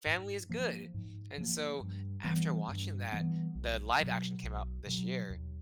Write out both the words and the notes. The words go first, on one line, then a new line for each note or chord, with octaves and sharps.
Family is good," and so, after watching that, the live-action came out this year.
G#2
F3 A#3
G#2
F3 A#3
G2
E3 G3 B3
G2
E3 G3 B3
B1
B2 F#3
B1
B2 F#3
D#2